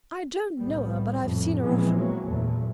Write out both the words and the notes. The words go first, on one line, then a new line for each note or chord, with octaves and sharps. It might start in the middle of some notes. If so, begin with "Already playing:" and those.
I don't know her; but I have seen her often.
C2 A2 G3 B3
F2 A2
A#2 E3 F3 G#3 B3 C4
F#3 A#3
F#1 E2 A#2 A3